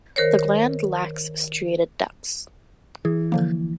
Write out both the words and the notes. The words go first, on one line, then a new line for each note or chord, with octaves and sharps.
The gland lacks striated ducts.
D#3 A#4 C5 C#5
E3 G#4
D3 F3 A#3